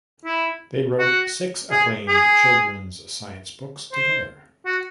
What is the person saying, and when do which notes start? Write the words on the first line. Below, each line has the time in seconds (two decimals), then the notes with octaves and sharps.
They wrote six acclaimed children's science books together.
0.25 E4
0.99 F#4
1.71 G#4
2.08 G#4
3.93 C5
4.66 F#4